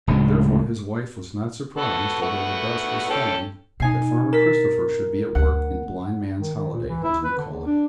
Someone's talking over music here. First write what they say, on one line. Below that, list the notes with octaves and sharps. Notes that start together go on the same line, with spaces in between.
Therefore his wife was not surprised although the dusk was falling, that farmer Christopher should be at work in 'blind man's holiday,' as we call it.
D1 D2 C#3 G#3
B3 F#4 A4
A3 B3 F#4
C#4 A4 G5
B2 D#4 G#5 C7
A#4 A6 B6 E7
D2 F#5
D#3
D#3
A#2
E3
E4
B4
D3
E2
D4